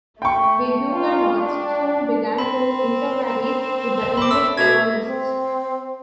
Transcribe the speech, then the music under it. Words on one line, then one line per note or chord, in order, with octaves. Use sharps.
The Huguenots soon began to intermarry with the English colonists.
A3 G5 C#6
F4
D4
C4 B5
B5 D6
A3 E6
B2 E5 G#6
C4